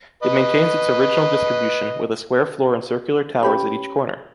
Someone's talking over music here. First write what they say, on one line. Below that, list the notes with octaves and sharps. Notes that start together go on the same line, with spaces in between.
It maintains its original distribution, with a square floor and circular towers at each corner.
B4 D#5
C#4 G4 B4